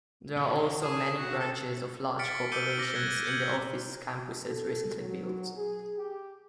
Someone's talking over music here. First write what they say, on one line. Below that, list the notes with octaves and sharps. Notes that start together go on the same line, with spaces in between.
There are also many branches of large corporations in the office campuses recently built.
D#3 C#4
G#4 A5
F#4
A4
F6 A6 B6 C#7 D7
D6 E6 G6 C#7 D#7 G7
D6 F6 A#6 G7
F#6 G#6
G6 G#6 C#7 F#7
A4
F#3
G#4
G4